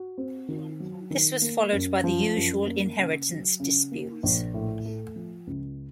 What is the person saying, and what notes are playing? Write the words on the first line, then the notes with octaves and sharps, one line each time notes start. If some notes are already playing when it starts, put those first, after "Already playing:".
This was followed by the usual inheritance disputes.
Already playing: F#4
C4
D#3
F#3
D#3
A#3
F#2
F3
F#2
A#3
C#3
F#3
C#3
A#3
A#1
A2
A3
F3
C#2